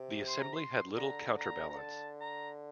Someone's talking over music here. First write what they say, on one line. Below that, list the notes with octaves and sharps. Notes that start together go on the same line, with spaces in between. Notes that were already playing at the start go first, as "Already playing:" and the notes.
The Assembly had little counterbalance.
Already playing: C3
C6
A#5
C6
D3 A#5
A#5
A#5
A5
A#5